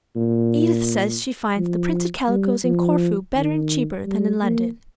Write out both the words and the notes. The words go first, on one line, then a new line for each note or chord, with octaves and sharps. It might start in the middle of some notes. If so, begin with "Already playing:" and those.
'Edith says she finds the printed calicoes in Corfu better and cheaper than in London.'
A#2
F3
G3
F3
D#3
G3
A#3